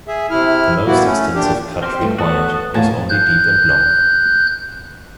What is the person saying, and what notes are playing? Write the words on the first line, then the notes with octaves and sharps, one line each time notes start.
The most extensive cut required was only deep and long.
G#4 E5
C3 E4 F6
G3 A#3 B3 E4 F#4
A3 C#4
A#2 D4 G4
C4 G4 C5 F6
G2 A3 F4
B3 F#4 A4 F#5 D#6 F#6
A2 A#3 C#5 F5 F#5 G#5 A5
F#6 G6